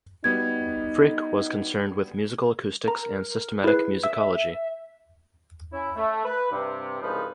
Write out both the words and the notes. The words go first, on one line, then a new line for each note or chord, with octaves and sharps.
Fricke was concerned with musical acoustics and systematic musicology.
G3 B3 D#4 F#4 G#6
A#4 A#5
E4 G#4 B4
E5 E6
C#4 E4
A3
B4
G2 C3
C2 G#2 C#3 F3 D#4 B4